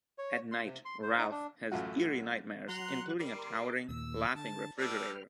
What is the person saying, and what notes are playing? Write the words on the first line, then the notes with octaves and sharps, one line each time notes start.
At night, Ralph has eerie nightmares, including a towering, laughing refrigerator.
C#5
C6
C3
C6
C5
D#4
D4
A1 F#2 A3 F4 F#4
F#3 F#5 A#5 C6 F#6
G3 A#4 C6 D6
D#2 A#2 E6
D3 A5
G3 A3 D4 B4 G5 F6